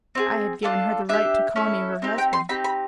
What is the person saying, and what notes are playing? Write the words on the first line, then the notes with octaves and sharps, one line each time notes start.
I had given her the right to call me her husband.
C4 F4 G#4
D4 F4 A4
D4 G4 E5
C#4 E4 A4
C4 D#4 G4
G5
C6
C4 D#4 G4 B5
B5